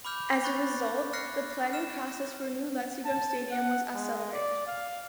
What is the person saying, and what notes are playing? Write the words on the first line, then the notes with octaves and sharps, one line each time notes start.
As a result, the planning process for the new Letzigrund stadium was accelerated.
B5 D6 F6 G6 F7
B5 C#6 F#6 A6
F6 F#6 A#6 C7 C#7
F6 E7
A5
F#5
G#3
D5
F5